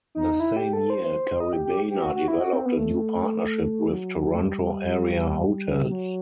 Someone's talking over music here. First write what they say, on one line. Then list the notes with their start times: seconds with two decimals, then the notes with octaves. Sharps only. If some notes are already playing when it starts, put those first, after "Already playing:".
The same year, Caribana developed a new partnership with Toronto-area hotels.
0.15 D#4
0.40 E4
0.56 G4
0.73 A4
0.90 C5
1.40 D#5
1.53 G4
1.65 G4
1.91 G4
2.02 F#4
2.16 F#4
2.28 E4
2.40 F#4
2.53 C4
2.66 B3
2.78 A3
3.91 F#3
4.34 A3
4.41 G3
5.91 F#3